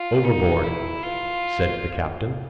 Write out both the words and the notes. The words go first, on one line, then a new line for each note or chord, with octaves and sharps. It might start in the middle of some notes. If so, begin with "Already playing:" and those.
"Overboard!" said the captain.
Already playing: F4
D#4
E4
F4